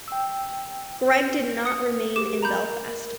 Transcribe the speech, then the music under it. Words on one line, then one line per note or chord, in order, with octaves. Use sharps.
Greg did not remain in Belfast.
G5 E6
D#6 C#7
G4 G#4 A#4 D6 E7
A#4 A#5 B5 G6